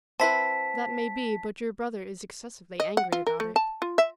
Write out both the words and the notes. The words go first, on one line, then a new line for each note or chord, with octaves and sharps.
"That may be, but your brother is excessively angry about it."
C4 E4 B4 A5 B6
D#5
F#5
F4
A#4
A3
A5
F4
E5